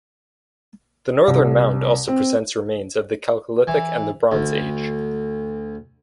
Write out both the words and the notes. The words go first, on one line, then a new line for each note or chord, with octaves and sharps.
The northern mound also presents remains of the Chalcolithic and the Bronze Age.
C2
C4
E3
D2